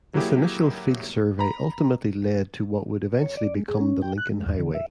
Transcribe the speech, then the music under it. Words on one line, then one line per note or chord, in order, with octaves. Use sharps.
This initial field survey ultimately led to what would eventually become the Lincoln Highway.
F#3 A#3 E4 G4 G#4
A#5 B5
C#5
D5
G#3
G#4
C#4
G5
F#6
G#3
E2
D3
E5